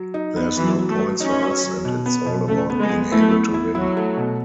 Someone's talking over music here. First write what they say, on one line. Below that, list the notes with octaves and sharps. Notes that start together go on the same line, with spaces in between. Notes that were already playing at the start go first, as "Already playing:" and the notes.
There's no points for us and it's all about being able to win.
Already playing: F#3
D#4
B3
E3 F#3
F#3
A3
F#3
C#4 D#4
F#3
F#3
B2
B3
B2
C#3 A3
B3
G#3
B3
A3 E4
B3
E4
F#3 E4
A3
B2